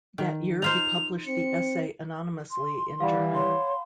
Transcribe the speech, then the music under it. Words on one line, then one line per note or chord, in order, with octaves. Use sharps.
That year he published the essay anonymously in German.
D#3
D#4 F4 C5 F7
C4 C#7
C6
E3 G3 D5 F5 F#5 B5
C#5 C6